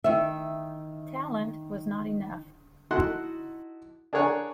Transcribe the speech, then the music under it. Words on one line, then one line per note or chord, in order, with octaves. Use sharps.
Talent was not enough.
D#3 E5
D#4 E4 F#4 A4 F#5 C6
D4 G#4 A#4 C#5 F#5 G#5